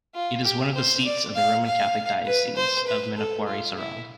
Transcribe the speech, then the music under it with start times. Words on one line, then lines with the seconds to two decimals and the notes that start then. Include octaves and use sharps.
It is one of the seats of the Roman Catholic Diocese of Manokwari-Sorong.
0.15 F4
0.44 G4
0.75 C5
1.05 D5
1.35 F5
1.66 F5
2.26 B4
2.56 C5
2.87 B4
3.17 A4
3.47 F4
3.77 E4